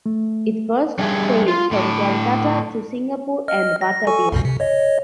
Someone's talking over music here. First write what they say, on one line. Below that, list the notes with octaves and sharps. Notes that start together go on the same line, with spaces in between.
It first sailed from Calcutta to Singapore and Batavia.
A3
G3 D4 G#4 E5
F4
A2 D4
D#5 F6
A#6
A4 G#5 C#6
C2 F#2 B2
C3
C#5 D#5